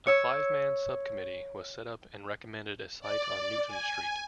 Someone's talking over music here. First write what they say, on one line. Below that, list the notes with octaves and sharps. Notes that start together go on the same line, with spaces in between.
A five-man sub-committee was set up and recommended a site on Newton Street.
C#5 E6
D5
G#5